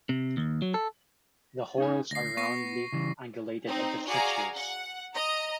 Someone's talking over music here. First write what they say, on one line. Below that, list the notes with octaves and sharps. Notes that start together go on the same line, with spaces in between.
The whorls are roundly angulated at the sutures.
C3
D#2
F#3
A4
C#4 D#4 G#5
D2 A#6 C7
B3 C#6 A#6 C7
C#3 E3 G3
C4 D#4
F#4 G#4 D5 F5 G#5 A#5
F#5
D#5 A#5